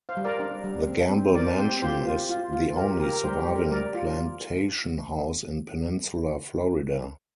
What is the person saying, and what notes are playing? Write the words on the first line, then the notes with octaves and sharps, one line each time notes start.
The Gamble Mansion is the only surviving plantation house in peninsular Florida.
C5 F5
G3
A#4 D5
D4
G3
C4
C4
C4 A#4 D5
C4 G4 C5
F4 G4 C5
F4
F4
F4
G4 A#4
G4
G4 A#4
A#4
G3 G4 C5
G4
G3
A#4
G3 A#4 D5
F4